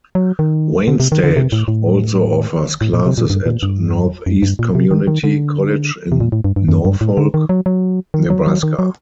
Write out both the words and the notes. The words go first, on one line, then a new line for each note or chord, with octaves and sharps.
Wayne State also offers classes at Northeast Community College in Norfolk, Nebraska.
F#3
D#3
D3
C3
D#3
D3
C3
A2
A2
A2
A#2
C3
A#2
G2
A#2
G2
F#2
G2
A#2
C3
D#3
D#3
D3
C3
A#2
A2
G2
G2
F#2
G2
A2
D3
D#3
F#3
F#3
D#3
F#3
F#3
D#3
F#3